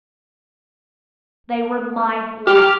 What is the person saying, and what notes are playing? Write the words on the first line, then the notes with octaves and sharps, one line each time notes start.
They were my life.
G4 F6